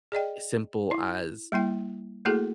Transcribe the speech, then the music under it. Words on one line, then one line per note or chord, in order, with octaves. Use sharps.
simple as
G#4 D5 D#5 G5
E4
G3 A#3 E4 G5
A3 A#3 E4 F#4 G#4 A4